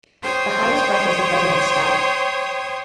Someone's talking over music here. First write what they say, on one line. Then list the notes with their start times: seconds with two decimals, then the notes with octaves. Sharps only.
The highest rank is the President's Scout.
0.22 C5 C#5 G5 D#6